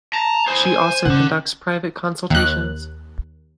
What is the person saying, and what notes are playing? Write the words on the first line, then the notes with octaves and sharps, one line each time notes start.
She also conducts private consultations.
A5 A#5
E4 G#4 C5
G#5
C#3 D4 F#5
D#2 F#6